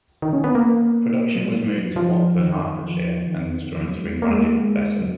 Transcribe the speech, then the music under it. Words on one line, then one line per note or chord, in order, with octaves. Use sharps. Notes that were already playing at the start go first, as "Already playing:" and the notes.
Production was moved to Watford, Hertfordshire, and the instruments rebranded Besson.
D#3
C#4
B3
A#3
F#3
G#3
A#3
G#3
F#3
F3
F3
D#3
F3
D#3
F3
F#3
G#3
B3
A#3
G#3
A#3
G#3
F#3